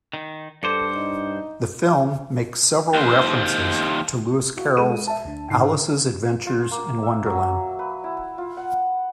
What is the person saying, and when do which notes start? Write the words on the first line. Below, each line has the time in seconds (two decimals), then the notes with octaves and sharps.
The film makes several references to Lewis Carroll's "Alice's Adventures in Wonderland".
0.13 D#3
0.63 G2 D4 A4 C5 D6 C#7
0.95 D#4
2.94 D#2 C5
4.57 E4 F#4 F5
4.77 G#3 A4 D#7
5.07 E5 A5
5.25 D2 D4
5.50 G#2 D3 D#4 C7
6.47 F4
6.71 A#3
7.03 E5
7.26 F#3
7.79 B4
8.04 E4
8.38 F4
8.57 F#5